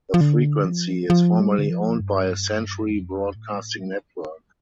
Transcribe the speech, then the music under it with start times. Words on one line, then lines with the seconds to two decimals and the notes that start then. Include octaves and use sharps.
The frequency is formerly owned by Century Broadcasting Network.
0.14 F3
0.21 D3
0.65 F3
1.10 F3
1.40 G3
1.58 D3
1.70 F3
2.00 G2
2.90 F2
3.35 A2